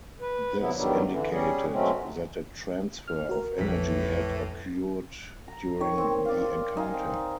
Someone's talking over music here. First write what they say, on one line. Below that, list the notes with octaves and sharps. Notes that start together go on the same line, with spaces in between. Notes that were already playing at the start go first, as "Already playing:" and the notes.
This indicated that a transfer of energy had occurred during the encounter.
B4
D#2 C3 F#3 B3 E4
E2 G2 D#3 F#3 G3
D3 E3
G3 C#4 G#4
B2 F#3 G#3 A3 C4 C#4
F6
F#4 A#4
A#1 F2 A2 E3 B6
A#5
D#3 C#5
C4
D5 F5
D#4 F5 G#5
C4